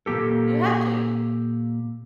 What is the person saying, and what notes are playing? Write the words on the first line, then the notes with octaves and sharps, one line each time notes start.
You have to.
A#2 D#3 A#3 G4 A4